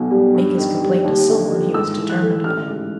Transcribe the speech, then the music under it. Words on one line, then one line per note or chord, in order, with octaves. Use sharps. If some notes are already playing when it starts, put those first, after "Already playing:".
Make his complaint to some one, he was determined upon.
Already playing: B1 B2
G3
G2
D#3
G3
D#2
D3
F3
G#2 E6
E3
F#6
A3
A1 F6
G#2